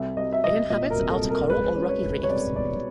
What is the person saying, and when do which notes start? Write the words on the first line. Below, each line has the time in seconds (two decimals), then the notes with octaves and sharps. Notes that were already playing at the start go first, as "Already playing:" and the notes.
It inhabits outer coral or rocky reefs.
Already playing: C2 E5
0.16 C2 D#5
0.33 E5
0.43 C2 D#5
0.70 A#2 D#5
0.90 A#4
0.96 C2
1.09 A4
1.22 C2
1.30 A#4
1.50 G#3 B4
1.76 C#4
1.89 C#5
2.03 G#3
2.23 C#5
2.28 C2 D5
2.56 B2 D5